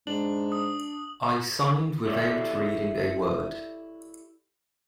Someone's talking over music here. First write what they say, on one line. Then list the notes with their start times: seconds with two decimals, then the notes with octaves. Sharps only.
I signed without reading a word.
0.07 G#2 D4 F#7
0.52 D#6
2.06 E4 G4 A4 C#5 D5 E5